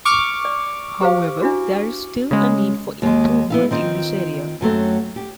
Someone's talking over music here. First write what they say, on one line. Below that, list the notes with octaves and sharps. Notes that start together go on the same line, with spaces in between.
However, there is still a need for improvement in this area.
C#6 D6 F6
D5
G4 C5 F5
D4 E4 F#4
C#3 G#3
D#2 G#3
B3 E4 F5
D#3 C4 F4
F#2 F#3 A3 C4
G4